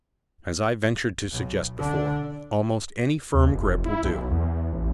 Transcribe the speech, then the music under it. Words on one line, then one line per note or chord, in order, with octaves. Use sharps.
As I ventured to suggest before, almost any firm grip will do.
B1
D3 D4
D#2
F1
E4
B1
E2
A1